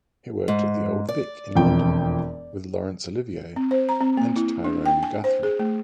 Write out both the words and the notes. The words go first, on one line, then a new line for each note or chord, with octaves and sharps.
He worked at the Old Vic in London with Laurence Olivier and Tyrone Guthrie.
G#2
D5
E1 F2 G5
C4
C5
A#5
C4
A#3
E4
D4
G5
G#5
C5
G#4
A3